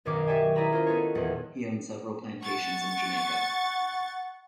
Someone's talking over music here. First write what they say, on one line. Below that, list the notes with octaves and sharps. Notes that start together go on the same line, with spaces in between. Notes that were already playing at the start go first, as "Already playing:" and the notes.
He owned several plantations in Jamaica.
B1 F#2 D#3 C#5 D6 C7
G4 C#5 D5 E5 G5 G#5
E4 G#4 D5 E5 A#5 B5
C#4 F4 G#4 A#4 C5
B3 D#4 G#4 A4 C#5
D#1 E2 F#5
F#5 C#6 A6